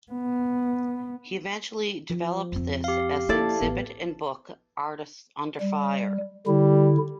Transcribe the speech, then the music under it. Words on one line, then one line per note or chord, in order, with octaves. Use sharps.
He eventually developed this as the exhibit and book "Artists Under Fire".
B3
F3
F2 C4
G4 F5
A#3 E4 A4 D5
A1 B3
G3
D3 G3 E4